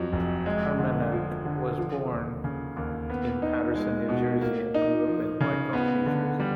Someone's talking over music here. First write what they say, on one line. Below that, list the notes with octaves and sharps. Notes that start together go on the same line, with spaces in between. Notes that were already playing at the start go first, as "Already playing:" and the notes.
Armenante was born in Paterson, New Jersey, and grew up in Wyckoff, New Jersey.
Already playing: F2 F#3
F1
G#3
D3
F3
D3
F3
D#2
C#3
D#2
B3
D#4
G#3
B2
A#3
D#4
F3
C#3
B3
D3
G3